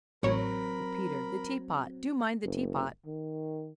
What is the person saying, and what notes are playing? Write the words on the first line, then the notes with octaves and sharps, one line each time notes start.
"Oh, Peter--the teapot--do mind the teapot!"
A1 F#3 C4 A#4 C#5 B5
F#1
D#3